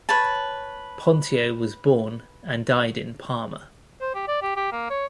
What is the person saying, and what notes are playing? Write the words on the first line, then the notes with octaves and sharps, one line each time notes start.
Pontio was born and died in Parma.
B4 C#5 A5
C5
G4
D5
G4
G4
A#3
C#5